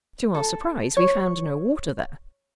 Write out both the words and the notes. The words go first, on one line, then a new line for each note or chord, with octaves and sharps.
To our surprise, we found no water there.
A4
C#5